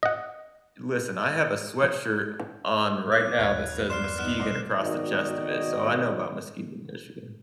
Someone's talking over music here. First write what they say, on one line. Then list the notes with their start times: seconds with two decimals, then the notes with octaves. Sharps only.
Listen, I have a sweatshirt on right now that says Muskegon across the chest of it, so I know about Muskegon, Michigan.
0.03 D#5 F#5
3.12 D6 F#6
3.39 D#1 G2 B4 C#5 F5 G#6
3.74 E2 G2
3.90 D5 C6 F6 C7 E7
4.18 B3 D#4 F6 F#6 E7
4.40 B1 C3 C5 D5 D#5
4.77 G#1 B2 D#3 F#4 D5 D#5